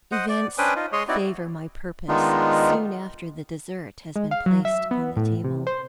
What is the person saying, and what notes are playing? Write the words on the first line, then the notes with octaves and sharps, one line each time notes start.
Events favor my purpose soon after the dessert has been placed on the table.
C5 D#5 F#5
D5
C#4 D4 B4 C5 G5 D#6
D#4 F4
G#3 G#4 C#5 D#5 C6
C4 D#4 E4 F#4 D5
D#3 G#3 B3 D4 D#4 F4
G#3
F5
F#3
E5
B3
A2
C3
C5